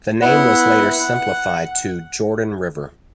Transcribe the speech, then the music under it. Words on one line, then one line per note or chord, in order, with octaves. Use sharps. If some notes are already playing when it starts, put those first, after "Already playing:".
The name was later simplified to "Jordan River".
B3 E4 F#5